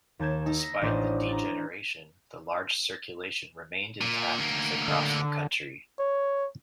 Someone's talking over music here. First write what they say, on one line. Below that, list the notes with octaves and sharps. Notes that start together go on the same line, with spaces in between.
Despite the degeneration, the large circulation remained intact as it crossed the country.
D#2 A5 G6 G#6 E7
D#4 A5 E6
A#6 B6
A1 D4 C5 D5 D#5 G6
A#5 A6
A#2
D2 A#3
D3
C#5